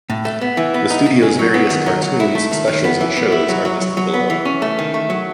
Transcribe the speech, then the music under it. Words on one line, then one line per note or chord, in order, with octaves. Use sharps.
The studio's various cartoons, specials and shows are listed below.
A2
A3
B3
E3
B3
D#4
B2
G#3
F#3
B3
D#3
F#3
F#3
E4
A3
D#3
D#3
B3
E3
B3
E4
F#3
F#3
F#3
F#3
B3
E3
C#4
A3
D#3
A3
F#3